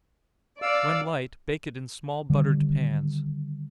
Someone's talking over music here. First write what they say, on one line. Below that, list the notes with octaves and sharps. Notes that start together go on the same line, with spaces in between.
When light, bake it in small buttered pans.
D5 F5 E6
D3 D#3 G3